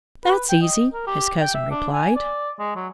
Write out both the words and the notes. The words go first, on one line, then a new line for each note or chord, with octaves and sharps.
"That's easy," his cousin replied.
B4
G5
D#5
A#4
G4
G5
E5
D4
G#5
D5
G#3
F#3